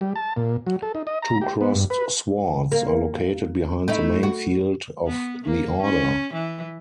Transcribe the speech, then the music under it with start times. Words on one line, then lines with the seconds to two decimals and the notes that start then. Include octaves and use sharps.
Two crossed swords are located behind the main field of the order.
0.01 G3
0.16 A5
0.36 A#2
0.67 F#3
0.82 A4
0.95 D#4
1.07 D#5
1.22 A#5
1.41 G4
1.61 B3
1.75 G2
1.90 B4
2.72 A#3
3.88 A3 D#4 E4
4.23 F#4
5.07 B3
5.44 A#3
5.82 C#4
6.33 E3